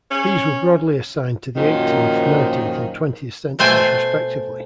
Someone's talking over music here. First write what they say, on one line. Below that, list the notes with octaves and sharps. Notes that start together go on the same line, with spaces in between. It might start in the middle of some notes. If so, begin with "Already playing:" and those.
These were broadly assigned to the eighteenth, nineteenth and twentieth centuries respectively.
C#4
F#2 A#2 D#3 F3
B2 A3 C5 G5 G#5